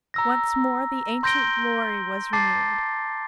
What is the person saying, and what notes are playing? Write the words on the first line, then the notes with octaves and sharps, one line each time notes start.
Once more the ancient glory was renewed.
A#5 E6 A#6
C6 G6 A#6 D7 G7
A5 D6 A6 C7